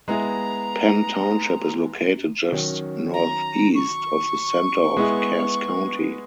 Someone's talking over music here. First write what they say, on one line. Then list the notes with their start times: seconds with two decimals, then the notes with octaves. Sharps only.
Penn Township is located just northeast of the center of Cass County.
0.08 G#3 B3 E4 G#4 A#5
2.52 D#3 F#3 C#4
3.13 A#5
3.75 C#6
4.97 G#3 B3 E4 G#4